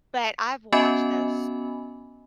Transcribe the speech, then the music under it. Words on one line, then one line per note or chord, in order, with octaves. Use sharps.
But I've watched those
B3 C#4 F#4 D#5 G#5 B5